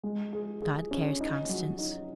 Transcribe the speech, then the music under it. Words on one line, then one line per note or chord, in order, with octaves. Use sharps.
"God cares, Constance."
G#3
G#4
G#4
C#4
D#4
F#3
D#4